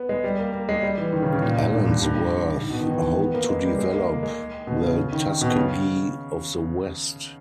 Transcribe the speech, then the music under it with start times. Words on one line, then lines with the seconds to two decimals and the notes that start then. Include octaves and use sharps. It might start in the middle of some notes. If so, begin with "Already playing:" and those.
Allensworth hoped to develop the "Tuskegee of the West".
Already playing: B3
0.09 G#3
0.24 G3
0.39 A#3
0.53 A#3
0.69 G#3
0.83 G3
0.97 E3
1.13 D#3
1.22 C#3
1.33 C#3
1.42 A#2
1.57 G#2
1.71 G2
1.86 G2
2.02 G2
2.60 G#2
2.70 B2
2.80 D#3
2.90 E3
3.20 B3
3.34 A#3
3.49 G#3
3.64 G3
3.79 G#3
3.94 A#3
4.08 A#3
4.23 G#3
4.67 B2
4.82 C#3
4.97 C#3
5.12 D#3
5.41 B2
5.56 C#3